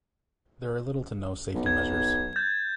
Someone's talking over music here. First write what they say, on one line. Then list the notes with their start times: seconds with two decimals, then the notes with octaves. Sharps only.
There are little to no safety measures.
1.55 B1
1.66 G#6
2.36 G6 A6